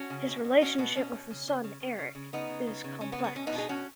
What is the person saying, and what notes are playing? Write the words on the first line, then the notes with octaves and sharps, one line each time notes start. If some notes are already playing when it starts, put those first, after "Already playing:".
His relationship with his son Eric is complex.
Already playing: C#4 F#4
C#3
B2
B2
B2 C#4 F#4
B2 B3
B2 C#4
B2
C#3
C#3
C#3
C#3
C#3
C#3
C#3 B3 D#4
C#3
C#3
C#3
C#3 C#4
B3
C#3
B3
B2 C#4
B3 D#4
B2
D#4 G#4
B2 C#4 F#4